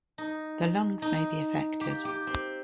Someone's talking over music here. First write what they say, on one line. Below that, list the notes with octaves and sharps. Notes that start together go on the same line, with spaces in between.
The lungs may be affected.
D#4
D#4
G4
G4
C4